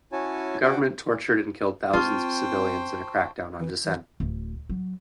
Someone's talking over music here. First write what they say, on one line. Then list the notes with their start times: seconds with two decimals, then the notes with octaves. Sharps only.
The government tortured and killed thousands of civilians in a crackdown on dissent.
0.12 C#4 E4 F#4 C#5 G#5 A5
0.62 D4 F#4 F#5 G5 D6
1.93 C4 F4 C5 G5 A5 C#6
4.20 D1
4.69 F#3